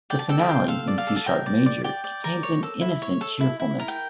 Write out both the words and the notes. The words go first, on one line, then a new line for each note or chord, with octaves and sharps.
The finale, in C-sharp major, contains an innocent cheerfulness.
D5 G5
A5
A4 G5
G5
F4
A4 F5
D5
F5
A4
A5
A#4 G5
D5
D5
D5 G5
D5
A#4
C#5
A4
E4
C#5
A4
E4
E4
A#4
G5